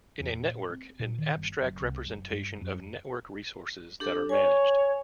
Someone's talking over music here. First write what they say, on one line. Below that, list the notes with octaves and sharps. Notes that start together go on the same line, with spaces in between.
In a network, an abstract representation of network resources that are managed.
E2
A#2
C4
A#2
D#3
G1
F#1
C2
F#1
G2
F#2
D4 G4 A4
C#5 G#5